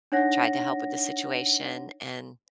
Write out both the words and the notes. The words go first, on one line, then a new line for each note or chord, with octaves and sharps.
tried to help with the situation, and
D4 D#4 C#5 F#5 A#6